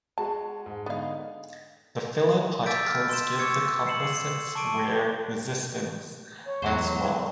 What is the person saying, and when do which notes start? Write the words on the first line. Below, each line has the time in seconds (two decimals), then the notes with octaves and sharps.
The filler particles give the composites wear resistance as well.
0.18 G#3 F#4 A5
0.66 G#2
0.86 D3 B3 D#4 F5
2.66 D6 E6 G6 A6 B6 D7
2.87 F6
3.09 C6 E7
3.39 C#6 D6 E6 G#6 C#7
3.87 C7 C#7 E7 F#7
4.55 A5 C#6 D6 D7 D#7
6.46 C#5
6.62 E2 F#3 E4 C5